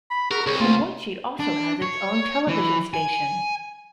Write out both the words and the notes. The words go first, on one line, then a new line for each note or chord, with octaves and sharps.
Shimoichi also has its own television station.
B5
F#4 G#4 A#4 A#5
C2 G#4 C#5
A3 A#3 F4
D4
C#5
E3
G#5